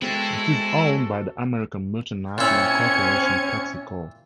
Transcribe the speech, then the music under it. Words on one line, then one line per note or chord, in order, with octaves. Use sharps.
It is owned by the American multinational corporation, PepsiCo.
G#3 B3 C4 E4 F#4 A4
A#2 C4 C#4 E4 G#6 C#7